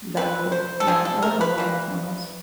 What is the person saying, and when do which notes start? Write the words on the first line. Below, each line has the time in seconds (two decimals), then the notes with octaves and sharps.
valuable. Yeah, I like all of them, if I'm honest.
0.17 C3 E3 G3 C4 B4
0.52 C5
0.80 A4
0.87 C3 E3 G3 C4 G#4
1.05 A4
1.22 A#4
1.41 B4
1.58 E3 G3 A#3